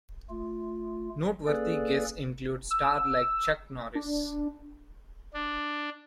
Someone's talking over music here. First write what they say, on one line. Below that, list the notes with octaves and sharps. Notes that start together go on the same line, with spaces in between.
Noteworthy guests include stars like, Chuck Norris.
A3 F4
A#3 C#4 G#4 A4 B4 D5
E6
D4
D4